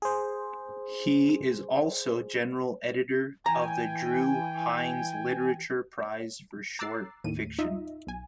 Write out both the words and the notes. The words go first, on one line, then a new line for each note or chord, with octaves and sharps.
He is also general editor of the Drue Heinz Literature Prize for short fiction.
G#4 C5
E3 G5 G#5 A#5
A#5 D6 E6 F#6 A6 C7
D#2 A2 D#7
D#4 F4 D#5 E5
B1 G#5